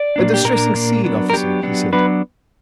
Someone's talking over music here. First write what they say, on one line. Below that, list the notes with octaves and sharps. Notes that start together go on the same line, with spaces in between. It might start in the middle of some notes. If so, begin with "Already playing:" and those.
'A distressing scene, officer,' he said.
Already playing: D5
A#2 A#3 D4
G4
A#2 A#3 D4 A#4
A#2 A#3 D4
F#3 B3 D4
A#4
F#3 B3 D4 G4
F#3 B3 D4
F#3 B3 D4 B4